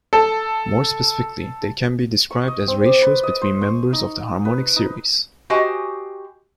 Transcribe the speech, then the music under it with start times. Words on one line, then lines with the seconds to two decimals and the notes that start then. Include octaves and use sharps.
More specifically, they can be described as ratios between members of the harmonic series.
0.13 A4 A5
2.31 C#6
2.48 D#5
2.67 C4
2.86 D5
3.02 B4
3.23 D#5
3.41 C5
3.61 C#6
3.93 D#4
4.45 B4
4.76 D#4
5.50 F#4 G4 C5 D#5 G#5